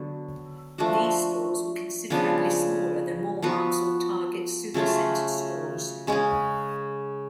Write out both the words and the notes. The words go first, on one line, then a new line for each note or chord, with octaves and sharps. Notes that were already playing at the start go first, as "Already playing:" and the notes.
These stores were considerably smaller than Walmart's or Target's supercenter stores.
Already playing: D3 F#3 B3
F3 A3 D4 F#4
C#3 F3 B3 D4
F3 B3 F#4 B4
C#3 F#3 A3 F4
C#3 G#3 C#4 G#4